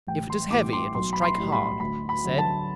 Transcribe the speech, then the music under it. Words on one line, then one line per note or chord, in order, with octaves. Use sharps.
"If it is heavy it will strike hard," he said.
A1 G5
C6
A2 E3 G3 D6
C6
B1 C6
B5
C6
A2 G3
B5
D2 B5
B5
D3 F#3
A5